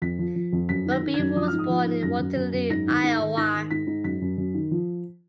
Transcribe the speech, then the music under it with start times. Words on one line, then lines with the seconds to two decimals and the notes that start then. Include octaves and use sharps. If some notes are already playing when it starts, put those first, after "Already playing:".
Roby was born in Waterloo, Iowa.
0.02 F2 B6
0.19 F3
0.36 F3
0.52 F2
0.69 F#2 B6
0.86 D#3
0.91 A#6
1.02 D#3
1.14 F#2 G#6
1.36 F3 D#6
1.48 G#2 F6
1.59 D#6
1.69 F3
1.86 G#2
2.03 F#2 A#6
2.20 F#2
2.36 F#2
2.54 F#2
2.70 G#2 A#6
2.87 D#3
3.03 G#2
3.20 D#3
3.37 G#2 A#6
3.54 D#3
3.71 G#2 B6
3.87 G#2
4.04 F#2 B6
4.22 F#2
4.38 F#2
4.54 D#3
4.71 F3